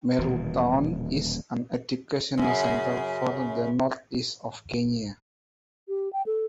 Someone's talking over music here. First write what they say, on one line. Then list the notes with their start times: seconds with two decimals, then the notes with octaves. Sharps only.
Meru town is an educational center for the northeast of Kenya.
0.19 D#1 B2 E3
2.38 F#2 C#3
5.88 G4
6.13 G5
6.26 A4